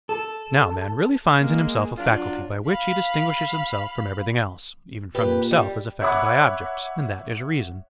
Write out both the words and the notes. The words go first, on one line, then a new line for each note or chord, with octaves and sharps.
Now man really finds in himself a faculty by which he distinguishes himself from everything else, even from himself as affected by objects, and that is reason.
A4
G#3 A#3
F#3 D4 F4
F5 B5
A#2 G4 B4
G3
C#5 E5 F#5 B5 D6 F#6